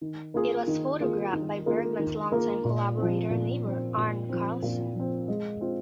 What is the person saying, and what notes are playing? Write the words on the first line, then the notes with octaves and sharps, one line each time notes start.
It was photographed by Bergman's longtime collaborator and neighbour, Arne Carlsson.
D#3
A#3 F4 G#4
D#3
A#3 F4 G#4
D#3
A#3 F4 G#4
D#3
A#3 F4 G#4
A#2
F3 C4
A#2
F3 C4
A#2
F3 C4
A#2
F3 C4
G#3
C4 F4